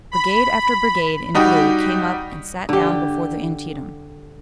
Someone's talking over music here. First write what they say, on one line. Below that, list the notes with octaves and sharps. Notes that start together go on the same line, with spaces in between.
Brigade after brigade in blue came up and sat down before the Antietam.
B5
G3 D#4 F#4 G4
D3 G4